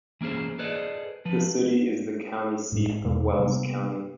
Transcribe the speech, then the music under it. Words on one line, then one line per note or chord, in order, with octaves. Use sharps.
The city is the county seat of Wells County.
E3 A#3 C#4 G#4 C5
G#4 A4 B4 C5 D5 D#5
F3 B4
A2 G#3
E2 B2 G#3
C3 G3 A#3 B3